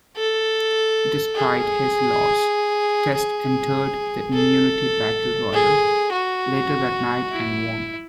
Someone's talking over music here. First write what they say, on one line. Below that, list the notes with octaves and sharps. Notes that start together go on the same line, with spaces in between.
Despite his loss, Test entered the Immunity Battle Royal later that night and won.
A4
G#4
G#4
A4
G#4
F#4
E4